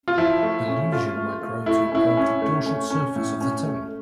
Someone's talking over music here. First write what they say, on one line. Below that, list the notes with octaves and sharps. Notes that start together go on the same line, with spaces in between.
The lesion may grow to involve the dorsal surface of the tongue.
F4
F3 E4
A3
C#4
A3 F4
A3
A3
A3 E4
C#4 E4
C#4
A3
C#4
C#4
A2
C#4
A3